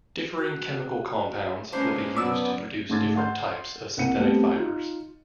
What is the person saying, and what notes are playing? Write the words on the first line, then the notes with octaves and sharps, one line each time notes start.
Differing chemical compounds will be used to produce different types of synthetic fibers.
F#4
A#2 G#3 C#4 D4 B4 C5
F#2 B3 D5 D6 E6
G#2 A3 C6 D6 G#6 A6
F#5 C6 G6
C2 A#3 F#5 C#7 D#7
G3 A3 B3 C4 G4
D#4 F4